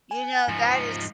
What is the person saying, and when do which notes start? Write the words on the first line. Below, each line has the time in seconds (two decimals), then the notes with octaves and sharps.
You know, that is
0.11 G#5
0.48 G#2 F3